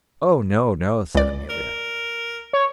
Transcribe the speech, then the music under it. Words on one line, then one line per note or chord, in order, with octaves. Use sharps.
'Oh no! no!' said Amelia.
C#2 D5
A#4
C#5